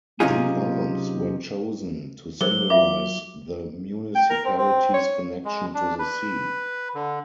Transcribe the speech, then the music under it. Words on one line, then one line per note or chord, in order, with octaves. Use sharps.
The arms were chosen to symbolize the municipality's connection to the sea.
C3 F#3 C#4 D#4 F4 G#4
F#3 G#4 A#4 C5 G7
F4 E5 F5 D6
G5
A#4
C4
C4
C#5
G#3
D4
B4
D3